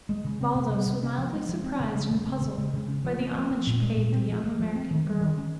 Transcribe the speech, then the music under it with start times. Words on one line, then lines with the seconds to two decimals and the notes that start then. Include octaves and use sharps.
Baldos was mildly surprised and puzzled by the homage paid the young American girl.
0.09 G#3
0.24 C#3
0.41 C4
0.55 C3
0.71 G3
0.86 C3
1.03 C#4
1.18 F3
1.33 G#3
1.49 F3
1.64 C4
1.80 C#3
1.95 G#3
2.11 C#3
2.26 C4
2.41 C#3
2.57 G#3
2.73 C#3
2.88 C#4
3.04 F3
3.20 A#3
3.35 F3
3.51 C4
3.67 A#2
3.82 G#3
3.97 A#2
4.12 C4
4.29 F3
4.44 G#3
4.60 F3
4.76 C4
4.91 D#3
5.06 G3
5.21 D#3
5.38 C#4